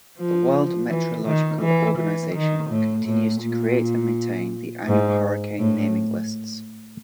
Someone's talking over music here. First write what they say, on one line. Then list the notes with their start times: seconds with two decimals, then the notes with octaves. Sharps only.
The World Meteorological Organization continues to create and maintain the annual hurricane naming lists.
0.18 F3
0.89 E3
1.26 D#3
1.62 E3
1.98 E3
2.34 D#3
2.70 A2
3.05 A2
3.42 A#2
4.86 G#2
5.58 A2